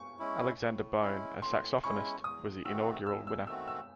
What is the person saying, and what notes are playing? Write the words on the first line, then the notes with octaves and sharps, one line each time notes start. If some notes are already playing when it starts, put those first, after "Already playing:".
Alexander Bone, a saxophonist, was the inaugural winner.
Already playing: C#6
G#3 C#4 E4
A2
G#3 C#4 E4
A2 C6
G#3 C#4 E4 C#6
E2 D#6
D#3 A3 C4 F#4 E6
E2 E6
E6
D#3 A3 C4 F#4 E6
E6